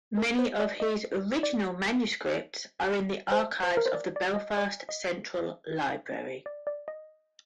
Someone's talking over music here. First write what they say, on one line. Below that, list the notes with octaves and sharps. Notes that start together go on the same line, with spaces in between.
Many of his original manuscripts are in the archives of the Belfast Central Library.
A#4
C5
D5
D#5
D5
C5
C5
A#4
C5
D5
D5
D#5
D5
D#5
D5
D5
D#5